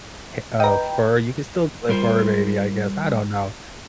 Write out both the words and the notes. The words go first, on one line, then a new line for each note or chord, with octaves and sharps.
ha uh, fur, you can still a fur baby, I guess, I don't know,
B4 D#5 G5 A#5
G3 F4 A#4 C5